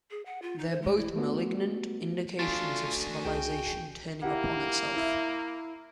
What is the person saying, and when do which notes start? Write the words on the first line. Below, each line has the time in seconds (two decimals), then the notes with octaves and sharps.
They're both malignant indications of civilisation turning upon itself.
0.11 G#4
0.26 F#5
0.42 F4
0.58 D#4
0.70 C5
0.82 G#3
0.97 E4
1.16 A3 B3 F#4
2.39 A3 D4 F4 F#4 G#5 A6
3.25 C2 G#4 G5
4.22 A#3 E4 G4 F#5
4.96 E4 E5